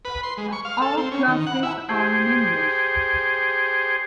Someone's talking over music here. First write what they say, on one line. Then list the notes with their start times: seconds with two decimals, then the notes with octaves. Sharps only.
All classes are in English.
0.05 B4
0.23 C6
0.38 G#3
0.53 C#6
0.65 F5
0.82 A4
0.97 C4
1.12 C#4
1.27 D#3
1.47 F#5
1.63 E4
1.89 G4 G#4 C5